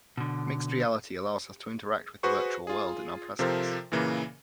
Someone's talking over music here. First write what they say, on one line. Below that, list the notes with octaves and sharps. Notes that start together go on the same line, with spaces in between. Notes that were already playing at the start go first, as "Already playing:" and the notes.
Mixed reality allows us to interact with the virtual world in our presence.
B2 D3
F#4 G#4 B4 C5 C#6
F4 G#4
C3 F3 F4 A4 A#4 C5
A#2 C#3 E3 A#3